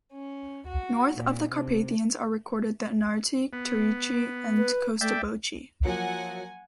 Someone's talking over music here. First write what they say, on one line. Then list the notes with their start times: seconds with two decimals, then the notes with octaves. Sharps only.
North of the Carpathians are recorded the Anarti, Teurisci and Costoboci.
0.11 C#4
0.66 F#4
1.13 A#2
1.53 C3
3.53 B3
4.57 B4
5.01 A3 D5 E5 G5
5.85 F3 F#3 A#3 F#5 G#5